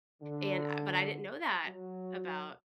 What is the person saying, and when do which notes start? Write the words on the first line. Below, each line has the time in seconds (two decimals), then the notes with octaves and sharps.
and I but, I didn't know that about
0.22 D3
1.65 F#3